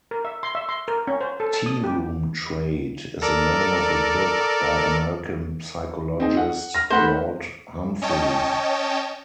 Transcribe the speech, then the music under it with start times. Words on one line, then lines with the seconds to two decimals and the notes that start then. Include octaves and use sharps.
"Tearoom Trade" is the name of a book by American psychologist Laud Humphreys.
0.11 A#4
0.25 E5
0.43 C6
0.55 E5
0.69 C6
0.88 A#4
1.07 C#4
1.21 C5
1.40 A4
1.53 A5
1.66 D#6
1.84 G4
3.22 A4 A#4 D5
6.20 C4 D#4 G#4
6.37 F#5
6.75 F6 A#6
6.90 A3 B3 C5 F#5 B5
8.02 C#4 C#5 D#5 G5 A5